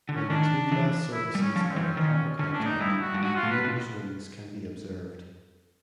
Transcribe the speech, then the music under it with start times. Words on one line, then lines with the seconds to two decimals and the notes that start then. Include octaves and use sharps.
When the two glass surfaces are in proper contact Newton's rings can be observed.
0.09 D3
0.15 C#4
0.30 D#3 D4
0.72 E3
1.13 E4
1.35 G3
1.42 C#4
1.55 F3 C#4
1.70 C4
1.76 E3
1.84 C#4
1.97 D#3 C#4
2.39 D3 C#4
2.53 D4
2.60 A2
2.66 D#4
2.81 G2 E4
3.01 F#4
3.14 G2
3.22 G#2 F#4
3.36 F4
3.43 A2
3.51 B4
3.65 B2